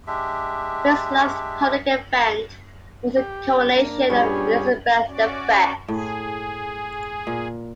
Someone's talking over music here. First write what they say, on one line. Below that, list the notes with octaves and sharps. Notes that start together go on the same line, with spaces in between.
Will's last public event was the coronation of Elizabeth the First.
G#3 D4 G4 E5
G4
A#3 D4
G2 A#2 G3 B3 C#4 G#4
C#4 F#4 D5
A2 G#4
A#2